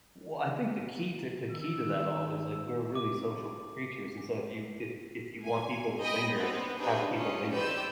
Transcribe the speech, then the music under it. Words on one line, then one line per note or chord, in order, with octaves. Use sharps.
Well, I think the key to the key to that all is, like, we're really social creatures, and so if you if if you want people to linger, have people lingering,
D#3 E6
D6
G#5
D#5 G5 B5 A#6
B3 C4 D4 B4
D4 D#4 G4 G#4 B4 C5
C#4 F4 D#5
G4 B4 C5 D5 E6 G6